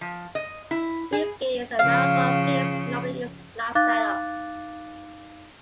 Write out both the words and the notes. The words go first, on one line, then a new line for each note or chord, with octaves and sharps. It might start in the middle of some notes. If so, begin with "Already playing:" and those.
Speed skaters and marathon skaters normally use flat setups.
F3
D#5
E4
G#4
C#3 F3 F5
D#4 F5 D6 F#6 A6